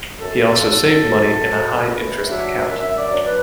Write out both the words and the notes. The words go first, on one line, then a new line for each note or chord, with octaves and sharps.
He also saved money in a high interest account.
F#2 A4
F#3 D4
F#2
F#3 D4
F#2 B4
F#3 D4 E5
F#2 E5
D5
F#3 D4
B4